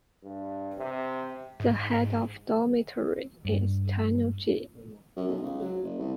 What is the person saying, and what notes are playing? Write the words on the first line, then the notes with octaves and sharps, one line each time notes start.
The head of dormitory is Tennouji.
G2
C3
G#2
G2
F#2
B1
C#2
F#3
F#1
C2